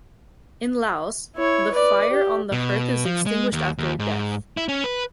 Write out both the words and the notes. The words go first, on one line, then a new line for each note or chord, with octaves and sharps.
In Laos, the fire on the hearth is extinguished after a death.
E4 C#5
B4 D5
G4
B2
F3
G#3
D#2
D#2
G#2
E4
C#4
B4